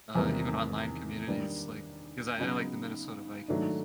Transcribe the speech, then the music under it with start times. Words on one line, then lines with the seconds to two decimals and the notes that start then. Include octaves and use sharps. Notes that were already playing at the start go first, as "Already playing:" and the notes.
uh, even online communities, like, because I I like the Minnesota Vikings.
0.15 E2 C3 D#3 G3 A#3
1.27 D#3 G3 A#3 D4
2.38 C#3 F#3 B3 D#4
3.48 G#2 D#3 F#3 A3 D4